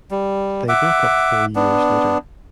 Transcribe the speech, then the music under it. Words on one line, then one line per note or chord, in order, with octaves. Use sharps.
They broke up four years later.
G3
E5 F#5 D6
B3 D4